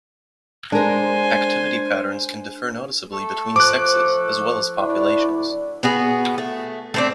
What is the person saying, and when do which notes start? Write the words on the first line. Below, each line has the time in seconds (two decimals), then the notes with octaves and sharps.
Activity patterns can differ noticeably between sexes as well as populations.
0.72 G#3 D4 A#4 C5 G#5
3.12 A3 A4
3.56 F3 D6 F#6
4.79 D2 A3 D4 E4 D5
5.83 B3 F#4 G#4
6.38 A3
6.94 A3 C4 D4